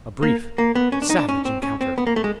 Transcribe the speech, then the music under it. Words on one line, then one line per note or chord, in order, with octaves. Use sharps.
A brief, savage encounter.
A#3
A#3
B3
C#4
D4
D#4
D4
C#4
C4
C#4
C4
B3
A#3
A3
G#3